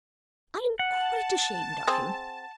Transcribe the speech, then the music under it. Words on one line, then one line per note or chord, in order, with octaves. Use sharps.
I am quite ashamed of him.
F#5 A5
C4 G#4